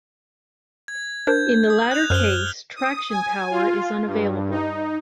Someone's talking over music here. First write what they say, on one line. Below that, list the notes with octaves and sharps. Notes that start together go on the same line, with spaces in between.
In the latter case, traction power is unavailable.
G#6
D4 A#4 C5 G6
D#6
F#6 F7
F#2 C5 F6 G7
D#6
G#5
F4
G2
D#4